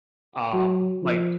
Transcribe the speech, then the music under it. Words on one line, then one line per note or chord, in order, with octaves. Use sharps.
Um, like
F#3
F3